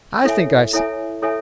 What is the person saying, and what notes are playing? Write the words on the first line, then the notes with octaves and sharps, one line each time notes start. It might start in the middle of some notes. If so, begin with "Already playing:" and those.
I think I see.
E4 A4 C#5 E5 G#5
E4 A4 C#5 E5 G#5
E4 A4 C#5 E5 G#5